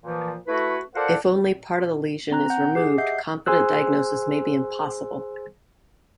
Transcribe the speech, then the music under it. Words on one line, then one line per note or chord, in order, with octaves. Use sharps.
If only part of the lesion is removed, confident diagnosis may be impossible.
A#2 E3 F3
A3 E4 F#4 B4
F4 A4 A#4 C5 D5 F#5
C4 A#5 F#6
F#5 G6
G4 G#4 D6 C7
D#5 E5 F#5 G6 C7
G#4 C5 G#5 C6 E6 F#6